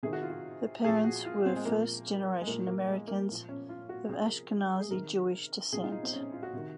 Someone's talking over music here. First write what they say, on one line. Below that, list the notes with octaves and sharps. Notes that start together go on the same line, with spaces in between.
Her parents were first generation Americans of Ashkenazi Jewish descent.
C3 D#3 G#4
F#4
F4
F#4
A#2 F3 G#4
F#4
F4
C4
G#3
A#2 F3 A#3
G#3
A#2 F3 A#3
A#3
G#3
A#3
A#2 F3
C#4
F4
F#4
C3 F3 G#4
A#4
G#4
C3 D#3 A#4
C3 F3 G#4
F4
D#4
C4
C#4
F4
F#4
C3 D#3